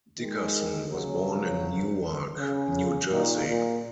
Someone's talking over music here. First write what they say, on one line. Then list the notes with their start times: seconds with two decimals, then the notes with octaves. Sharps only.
Dickerson was born in Newark, New Jersey.
0.19 D#3 G#3
0.91 C#3 F#3
2.37 C#3
3.10 A#2 D#3
3.47 A#2